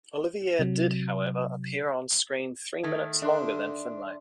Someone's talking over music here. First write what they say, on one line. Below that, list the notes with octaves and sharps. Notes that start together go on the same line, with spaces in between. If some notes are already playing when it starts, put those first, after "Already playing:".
Olivier did, however, appear on screen three minutes longer than Finlay.
C3 F#3
D#3 A3 G#6
D3 D4 E5 C6